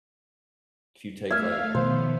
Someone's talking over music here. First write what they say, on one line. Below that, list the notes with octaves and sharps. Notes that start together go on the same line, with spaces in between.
if you take, like
A3 E5 F5 F6 G#6
B2 D#3 F3 B3 C5